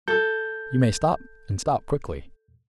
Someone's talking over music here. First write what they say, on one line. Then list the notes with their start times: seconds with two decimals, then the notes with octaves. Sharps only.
"You may stop, and stop quickly."
0.08 A4 G6